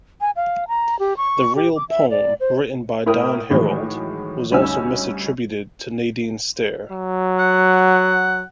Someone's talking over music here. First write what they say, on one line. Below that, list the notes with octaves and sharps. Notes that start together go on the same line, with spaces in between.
The real poem, written by Don Herold, was also misattributed to Nadine Stair.
G#5
F5
A#5
G4
C#6
G4
D6
E5
D5
C5
A2 E4 A#4 G5 D#6
A2 D#3 E3 F#3 G#3
D2 G2 C#4 D#4 G#5 E6
F#3
F#5